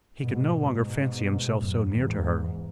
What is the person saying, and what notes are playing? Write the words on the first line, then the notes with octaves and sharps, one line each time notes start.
He could no longer fancy himself so near to her.
G#2 B2
G#2 B2
F#2 A2
E2 G#2